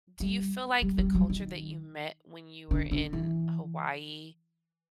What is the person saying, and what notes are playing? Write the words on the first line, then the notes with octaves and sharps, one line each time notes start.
do you feel like the culture that you met when you were in Hawaii,
G3
G3
G3
F#3
D#3
D3
D3
E3